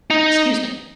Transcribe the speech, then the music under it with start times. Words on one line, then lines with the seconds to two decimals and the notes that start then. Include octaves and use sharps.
Excuse me,
0.10 D#4